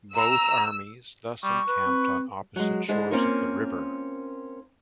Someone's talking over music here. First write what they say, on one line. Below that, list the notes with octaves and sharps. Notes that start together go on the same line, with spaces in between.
Both armies thus encamped on opposite shores of the river.
A#5 E6
G3 C#6
B4
C4
F#3 G#3
D3 G#3 E4 C5
A#3 C4 C#4 F4 A#4 C#5